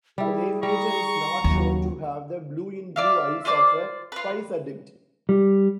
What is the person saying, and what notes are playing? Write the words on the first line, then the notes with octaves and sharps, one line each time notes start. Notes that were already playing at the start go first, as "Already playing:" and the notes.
The Navigator is not shown to have the blue-in-blue eyes of a spice addict.
G3 E4 G#4
G3 A#5 C#6
D#2 C#3 F#3
D5 E5 F5
F4 C5 D5 D6
F4 B4
G3